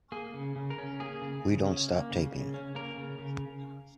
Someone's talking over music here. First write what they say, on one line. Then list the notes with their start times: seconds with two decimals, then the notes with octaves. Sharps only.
We don't stop taping.
0.12 A#3 G#4
0.34 C#3
0.56 C#3
0.70 A#4
0.78 C#4
1.00 A#3 G#4
1.22 C#3
1.43 C#3
1.67 C#4
1.88 A#3
2.10 C#3
2.31 C#3
2.54 C#4
2.75 A#3 A#4
2.98 C#3
3.19 C#3